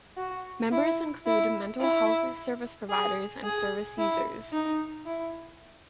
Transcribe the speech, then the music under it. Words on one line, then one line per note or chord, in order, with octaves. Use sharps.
Members include mental health service providers and service users.
F#4
E4
E4
E4
G#4
G#4
E4
D#4
E4